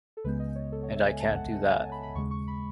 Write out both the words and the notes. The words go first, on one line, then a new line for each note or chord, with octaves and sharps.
And I can't do that.
A4
C#2 C#3 G#3 B3 B4
D#5
C#5
A4
C#5
E5
G#5
A5
F#5
F#5
G#5
A5
B5
B5
D#2 C#3 G#3 C#6
C#6
B5